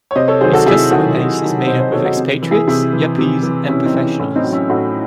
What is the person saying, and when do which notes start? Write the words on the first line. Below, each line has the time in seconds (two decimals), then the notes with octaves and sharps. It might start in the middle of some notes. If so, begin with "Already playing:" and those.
Its customer base is made up of expatriates, yuppies and professionals.
0.11 C#5
0.15 C3 C5 D#5
0.28 A4 C#5
0.41 D#3 F#3 G#4 C5
0.53 F#4 A4
0.66 C3 E4 G#4
0.91 D#3 F#3 F#4 A4
1.17 C3
1.42 D#3 F#3
1.67 C3 C5 D#5
1.79 C5 D#5
1.92 D#3 F#3 A4 C#5
2.05 D#4 F#4
2.17 C3
2.42 E3
2.51 E4 G#4
2.68 C3 E4 G#4
2.93 E3
3.18 C3
3.43 E3
3.69 C3 C#4 E4
3.86 C4 D#4
3.94 E3
4.19 A2 C#4
4.36 C4 D#4
4.44 F#3
4.52 C#4 E4
4.69 A2 D#4 F#4